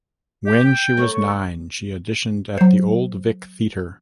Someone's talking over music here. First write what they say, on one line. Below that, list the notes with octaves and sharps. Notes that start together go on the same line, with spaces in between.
When she was nine, she auditioned at the Old Vic Theatre.
G4
G5
A3 A#4 C#5
C#6
F#3 C5